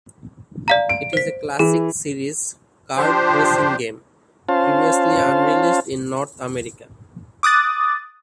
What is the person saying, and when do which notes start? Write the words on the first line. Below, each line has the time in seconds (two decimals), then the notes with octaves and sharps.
It is a classic series kart-racing game previously unreleased in North America.
0.68 D5 F5 A#5
0.89 D7
1.13 C5 B6
1.59 E3 G#4
2.98 F3 D4 G4 C5
4.49 C#4 F4 C5 F5 A5
7.43 D6 D#6 F#6 A6